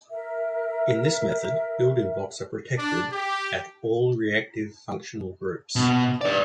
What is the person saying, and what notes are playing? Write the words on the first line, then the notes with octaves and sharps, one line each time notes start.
In this method, building blocks are protected at all reactive functional groups.
A#4 E5
D4
G4
B2
B4 D5